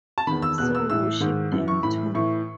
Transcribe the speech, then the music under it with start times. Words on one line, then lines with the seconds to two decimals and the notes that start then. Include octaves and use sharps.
So worship them too!
0.18 A5
0.27 E2 D#3 B5
0.42 E6
0.58 E2 B2 F#6
0.75 E6
0.90 A2 E3 E6
1.20 G#2 D#3
1.52 F#2 E3
1.68 C#6
1.83 A2 E3 B5
2.15 A2 E3 C#6